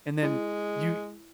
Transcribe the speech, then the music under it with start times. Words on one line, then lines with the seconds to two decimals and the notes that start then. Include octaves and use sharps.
And then you
0.23 G#3 E4